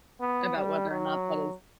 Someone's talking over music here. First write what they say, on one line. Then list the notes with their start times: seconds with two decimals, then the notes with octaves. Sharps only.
about whether or not that is
0.20 B3
0.56 G3
0.90 F#3